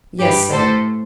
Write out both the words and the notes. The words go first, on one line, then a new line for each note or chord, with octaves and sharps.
"Yes, sir."
G2 G4 B4
A2 A4 C5